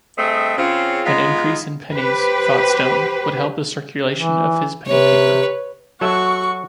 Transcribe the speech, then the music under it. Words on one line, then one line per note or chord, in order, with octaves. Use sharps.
An increase in pennies, thought Stone, would help the circulation of his penny paper.
G2 A3 C4 G#4 D#5 E5
C#3 C4 F4
G#3 B3 D#4 F4
G4 B4 C5
E3
C3 B4 C#5
F#3 F#4 A4 E5 C#6